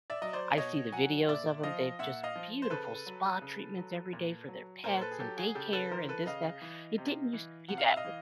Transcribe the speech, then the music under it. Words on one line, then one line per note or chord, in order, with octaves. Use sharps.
I see the videos of them, they've just beautiful spa treatments every day for their pets, and daycare, and this that, it didn't used to be that w
D5 E5
F#3 D#5
C5 D5
B2 C#5 D#5
F#3 F#5 G#5
A#2 D5 E5
F3 D#5 F5
A#2 E5 F#5
D#5 F5
F3
C5
C#3 A4 B4
F#3
C#3
F#3
A#2
F#3
A#2 A#4 C5
C5
A4 B4
G#4
F#3 G4 A4
F#4 G#4
G#4
C#3 G4 A4
A4 B4
E3 A#4 C5
A4 B4
C#3 D#5 F5
E3
C3
E3
C3 F#5
F5
E5
D#5 F5
E3